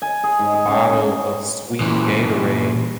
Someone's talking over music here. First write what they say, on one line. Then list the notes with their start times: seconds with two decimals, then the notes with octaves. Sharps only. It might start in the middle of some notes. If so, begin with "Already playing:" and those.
bottle of sweet Gatorade,
0.02 G#5
0.24 G#4
0.39 G#2
0.54 G#4
0.67 C#3
0.89 C#3
1.81 A#2 E3